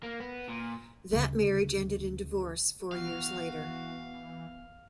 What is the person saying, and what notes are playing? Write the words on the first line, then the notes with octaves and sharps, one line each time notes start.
That marriage ended in divorce four years later.
A#3
B3
A#2
D2 C#3
E3 B3 F#4 F5